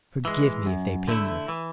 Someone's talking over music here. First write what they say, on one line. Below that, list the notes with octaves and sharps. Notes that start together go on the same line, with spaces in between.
Forgive me, if they pain you.
E3 G#3
F#2
D3 A3 E4
E3